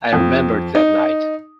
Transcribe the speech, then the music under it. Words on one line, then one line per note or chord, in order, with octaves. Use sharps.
I remember that night.
F2
D#4